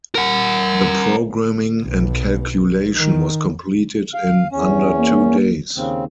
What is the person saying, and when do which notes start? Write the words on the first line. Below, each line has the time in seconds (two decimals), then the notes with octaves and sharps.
The programming and calculation was completed in under two days.
0.15 A#4 F#5
1.84 B1
2.96 D#3
4.14 F5
4.52 E2 C#4
4.98 A#3
5.77 D#2 C#3 C4